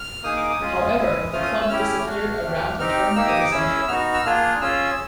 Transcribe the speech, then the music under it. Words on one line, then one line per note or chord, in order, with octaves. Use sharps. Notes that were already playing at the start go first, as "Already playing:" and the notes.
However, the club disappeared around the turn of the century.
Already playing: F6
A#3 D#4 G#4 D#6
D6
D#6
G#3 C#4 F4 G#4
G#3 C#4 E4 G#4
A3 C#4 F4 F6
D#6
E6
C#4 E4 G4 F6
A3 D4 F#4
A3 D4 G4
C4 D#4 G4 F6
A#3 D#4 G4 E6
D#6
D6
C#4 E4 G#4 E6
B3 D#4 F#4 F6
E6
A#3 D4 F4 G#4 F6
C#4 F4 G#4 E6